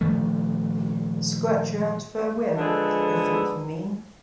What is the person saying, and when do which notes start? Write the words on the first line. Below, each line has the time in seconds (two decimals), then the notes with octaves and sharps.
Scratch you out of her will, I think you mean?
0.01 A#2 D#3 F3 A3
2.57 D3 F3 G#3 G#4 A4 B4